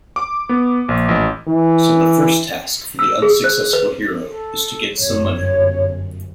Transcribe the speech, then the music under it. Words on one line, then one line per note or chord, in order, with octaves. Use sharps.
So the first task for the unsuccessful hero is to get some money.
D6
B3
A#1
A1
E3
E6
G#4
C5
B4
A4
G1 F#2 C#5